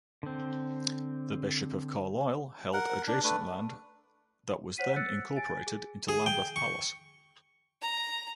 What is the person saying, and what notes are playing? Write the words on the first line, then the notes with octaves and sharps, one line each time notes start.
The Bishop of Carlisle held adjacent land that was then incorporated into Lambeth Palace.
D3 C4
A#4 F#5
D4
A3 D4 B4
C5 C#5 F#5 B6 D#7
E6 F#6 A6 C#7
G#5 A6 D7
G#4
G#4
G5
C#6
A#5